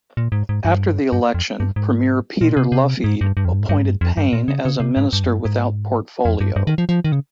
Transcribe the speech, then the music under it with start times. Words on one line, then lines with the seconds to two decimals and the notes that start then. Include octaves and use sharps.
After the election Premier Peter Lougheed appointed Payne as a Minister without portfolio.
0.17 A#2
0.32 G#2
0.49 G#2
0.65 G2
1.12 G2
1.34 F2
1.60 G2
1.76 G#2
2.41 A#2
2.57 C3
2.72 C3
3.04 G#2
3.21 G2
3.37 G2
3.45 F2
3.53 G2
3.60 G#2
3.69 G2
3.77 G#2
3.85 G2
4.01 F2
4.17 G2
4.33 A#2
4.48 C#3
4.65 C#3
4.80 C3
4.97 G#2
5.13 G2
5.24 F2
5.29 G2
5.45 G#2
6.25 F2
6.40 G2
6.56 G2
6.67 D#3
6.78 F3
6.89 F3
7.05 D#3
7.12 C#3